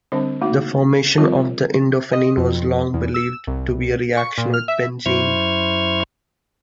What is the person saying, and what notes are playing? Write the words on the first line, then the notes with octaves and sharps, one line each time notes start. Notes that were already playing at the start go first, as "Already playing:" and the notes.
The formation of the indophenin was long believed to be a reaction with benzene.
D3 G3 C4 D4 C5
A3 A#3 D#4 F#4
F3 G3 C4 F4 G4 A#4
D#5
F2
E2
E6
C2
C#6
A#2
F6
E5
F#2 E4 C5 C#6 F6 G#6